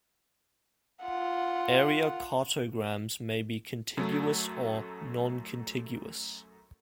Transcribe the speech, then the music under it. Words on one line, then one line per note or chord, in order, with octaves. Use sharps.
Area cartograms may be contiguous or noncontiguous.
F4 F#5
F#2 F#3 A3